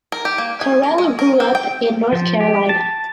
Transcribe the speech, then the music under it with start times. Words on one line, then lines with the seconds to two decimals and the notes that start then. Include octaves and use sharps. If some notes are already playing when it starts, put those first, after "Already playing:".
Correll grew up in North Carolina.
0.12 A#4
0.25 G4
0.38 A#3
0.61 G#4
0.83 A#4
0.98 G#3
1.19 A#4
1.40 C4
1.55 G5
2.12 F3
2.41 G4
2.69 A5